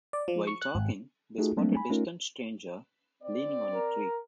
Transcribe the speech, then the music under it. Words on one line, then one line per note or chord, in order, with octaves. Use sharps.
While talking, they spot a distant stranger leaning on a tree.
D5
F3
C#6
F#6
G#1
A3 D#4 F4 F#4 G#4 A4
F#3 G3 A3 A#3 C4 D4
G#5 B5
A3 C#4 D#4 F4 A#4
C4 D5
A#4